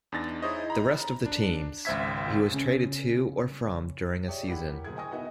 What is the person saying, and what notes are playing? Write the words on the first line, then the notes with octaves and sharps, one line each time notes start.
The rest of the teams, he was traded to or from during a season.
E2 D4 D#4 A6 A#6
D#4 E4 G#4 C5 C#5 D#5
A#5 B5
D4
G#1 C#2 C5 E5 G#6 B6
C#3 C#4
G4 G#4 C#5 D5 E5
E4 G4 A#4 F#5 B5
A#4
F#1 D2 G#4 G#6
D#5 G5 G#5 C#6 D#6 A#6
B3 D#4 F#4 A#4 D#5 E5